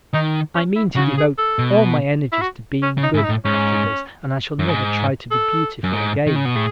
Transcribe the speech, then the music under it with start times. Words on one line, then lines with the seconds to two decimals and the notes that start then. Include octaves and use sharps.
I mean to devote all my energies to being good after this and I shall never try to be beautiful again.
0.14 D#3 D#4
0.55 C#4
0.76 E4
0.96 C#3 F#4
1.17 G#4
1.38 A4
1.59 B2
2.32 E4
2.41 F#4
2.82 C#4
2.98 C#3
3.03 D#4
3.14 G#2
3.17 E4
3.24 D#4
3.29 A2
3.45 G#2 C#4
4.59 F#2
4.68 G#2
5.31 A4
5.84 F#2
5.93 G#2
6.27 D#3
6.36 C#3
6.45 B2
6.55 A2 G#4